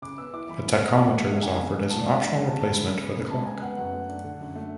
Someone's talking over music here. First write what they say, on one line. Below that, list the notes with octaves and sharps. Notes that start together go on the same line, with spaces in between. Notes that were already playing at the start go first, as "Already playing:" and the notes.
A tachometer was offered as an optional replacement for the clock.
C#3 D6
B3 E6
E4 D6
E3 B5
C#3
B3
E2 D6
G#3 F#5
E5
D4 F#5
C#3 G#5
E2
G#3
D2 A5
G#3 D5
E5
D4 F#5
D3 G#5
A5
D2
A5
G#3 B5
C#3
B3
C#3
G#3 A5
C#3 G#5
B3 F#5
F#2 F#5
A3
D4
D3
F#2
A3